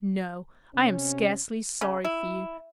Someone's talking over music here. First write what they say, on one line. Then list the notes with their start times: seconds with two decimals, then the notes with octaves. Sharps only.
No; I am scarcely sorry for you.
0.74 C3 C#4
1.81 C#3
2.05 E4